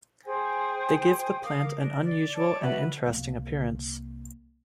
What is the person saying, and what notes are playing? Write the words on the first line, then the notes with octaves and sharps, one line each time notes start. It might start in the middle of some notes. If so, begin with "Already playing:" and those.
They give the plant an unusual and interesting appearance.
G#4 C5 G5 G#5
A#4 F5 D6 D#6
D4 D#5
D5
C#5 D5 A5
F#4 B4 E5 B5
C2 A#3